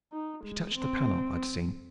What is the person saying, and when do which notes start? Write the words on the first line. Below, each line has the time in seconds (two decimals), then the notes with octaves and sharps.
She touched the panel I'd seen.
0.13 D#4
0.44 G#3
0.75 C4